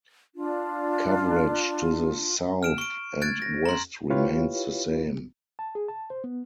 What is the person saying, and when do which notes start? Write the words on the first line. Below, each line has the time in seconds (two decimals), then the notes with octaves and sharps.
Coverage to the south and west remains the same.
0.35 D4 F4
2.63 F6 D7 E7
2.78 C#6 D7
3.22 F#6 G#6 A6 D7
3.42 A#6
3.66 A#5 C6
4.10 E4 F4 G4 B4 C#5 F5
5.59 A5
5.75 G#4
5.88 A5
6.10 C5
6.24 B3